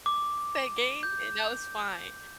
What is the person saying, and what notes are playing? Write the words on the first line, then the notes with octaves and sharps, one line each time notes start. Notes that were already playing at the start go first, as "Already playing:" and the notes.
That game, and that was fine.
D6
G6